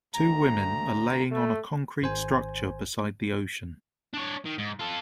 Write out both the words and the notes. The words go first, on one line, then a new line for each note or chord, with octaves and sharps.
Two women are laying on a concrete structure beside the ocean.
D2 A#5
A3
G#1 C5 G#5
D4 C#5
D#3
G#2
F4 A4